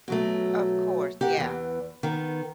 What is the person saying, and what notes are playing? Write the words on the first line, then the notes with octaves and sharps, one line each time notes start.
Of course, yeah.
B2 F#3 A3
G4 A#4 F#5
E2 E3
D#3 B3